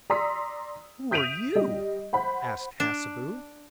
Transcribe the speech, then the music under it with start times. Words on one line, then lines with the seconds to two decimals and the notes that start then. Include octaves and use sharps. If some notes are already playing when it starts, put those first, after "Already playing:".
'Who are you?' asked Hassebu.
0.10 D5 A#5 C6 D#6 E6 B6
1.11 D#6 G6 B6 D7 D#7 F7
1.55 G3 D#5
2.13 C5 F#5 B5
2.80 D4